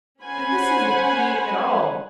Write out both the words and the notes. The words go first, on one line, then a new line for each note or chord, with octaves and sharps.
And this isn't he at all!
C#4 C5 F#5 G#5 B5